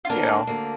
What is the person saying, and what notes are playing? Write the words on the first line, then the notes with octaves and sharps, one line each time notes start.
you know,
F4
D2 D3 A#3 D4
D2 D3 A#3